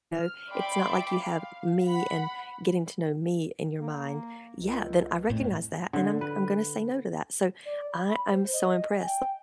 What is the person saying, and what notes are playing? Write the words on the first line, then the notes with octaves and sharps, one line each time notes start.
know, it's not like you have me and getting to know me in your mind. Yeah, then I recognize that, and I'm I'm gonna say no to that, so I I'm so impressed,
F6
D5 E5 G5 B5 C6 D6
F5
F#5 B5
A#3
C#2
F2 A2
D3
B4
D5
B5
C5
D#5
G#5
G5